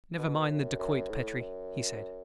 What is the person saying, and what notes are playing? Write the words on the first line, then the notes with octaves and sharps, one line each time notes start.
"Never mind the dacoit, Petrie," he said.
B2
F#2
F#2
A2
F#2